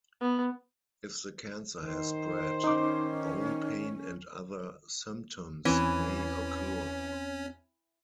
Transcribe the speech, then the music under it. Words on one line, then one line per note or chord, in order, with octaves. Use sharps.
If the cancer has spread, bone pain and other symptoms may occur.
B3
D#3 C5
C#4 D#4 D6
E2 E3 C4 C#4